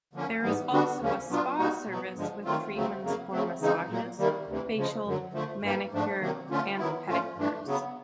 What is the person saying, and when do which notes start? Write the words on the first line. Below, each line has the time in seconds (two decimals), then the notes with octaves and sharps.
There is also a spa service with treatments for massages, facial, manicure and pedicures.
0.13 D3 F3 A#3 C#4
0.42 G#2 E3 G3 B3
0.71 D3 G3 B3 D4 F#4
1.00 D2 C#3 F3 A#3 C#4
1.29 B2 F#3 B3 D4 F4
1.58 B2 G3 A#3 D#4 F#4
1.87 B2 F#3 B3
2.15 G2 D3 F3 G#3
2.45 D#3 F#3 A3 C4 F4
2.73 D2 C#3 F#3 A3 C4
3.02 F2 C#3 F#3 A#3
3.31 C#3 F#3 A3 C4
3.60 C#3 E3 G#3 C4 D#4
3.89 A#2 F#3 A#3
4.18 C3 D#3 G3 A#3
4.47 D2 C3 E3
4.76 C#3 F3 G#3
5.05 F#2 D3 F#3
5.33 D3 F3 A3
5.62 G2 E3 G3 A#3
5.92 G#2 F3 A3 D4
6.21 C3 D#3 F#3 A#3
6.49 D3 F3 A3 C#4 F4
6.78 D#3 F#3 B3 E4
7.07 A#2 F3 A3 C#4 F4
7.36 G2 E3 A3 D4
7.66 C#3 F#3 B3